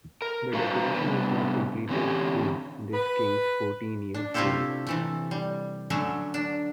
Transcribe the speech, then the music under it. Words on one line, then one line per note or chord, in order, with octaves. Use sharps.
The decoration was not completed through this king's fourteen years rule.
A#4
D4 F#4 B4 C5 F5 A#5
C3 D#3 G3 B3 D4 B4
D3 E3 C4 C#4 G4 C#5
B4
D4
C3 A3 E4 F4 G4 A4
C3 E3 A3
G3
D3 F#3 A3 C#4
D4